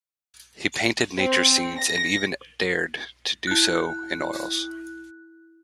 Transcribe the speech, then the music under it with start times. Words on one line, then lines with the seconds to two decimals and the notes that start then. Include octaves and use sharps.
He painted nature scenes and even dared to do so in oils.
1.18 C4
1.78 A#6
3.47 E4 F#6